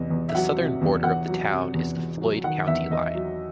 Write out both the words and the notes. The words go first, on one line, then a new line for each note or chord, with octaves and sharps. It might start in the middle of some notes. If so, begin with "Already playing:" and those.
The southern border of the town is the Floyd County line.
Already playing: E2 C3 D#5
E2
E5
F#3 F#5
C3
E2
E2 F#5
F#3
C3
E2
E2
F#3
D#3 F#5
E2 E5
E2 D#5
F#3